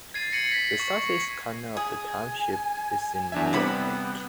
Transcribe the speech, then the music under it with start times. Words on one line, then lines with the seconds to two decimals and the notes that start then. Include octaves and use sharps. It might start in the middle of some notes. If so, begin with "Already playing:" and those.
The southeast corner of the township is in Mullett Lake.
0.14 G#6 A6 C7 D#7
0.32 A#6 C#7 D#7 F#7
0.51 G#6 A#6 B6 F#7
0.80 C#6
1.77 G#4 G#5
3.32 E2 D4 E5
3.53 C3 G3 B3 D5 F#5 B5